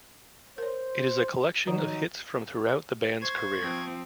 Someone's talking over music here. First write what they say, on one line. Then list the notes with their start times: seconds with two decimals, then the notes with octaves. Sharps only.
It is a collection of hits from throughout the band's career.
0.58 A#4 C5 C#5
1.67 D#3 F3 F#3 D#4
3.22 C5 C#6 G#6
3.60 F3 C4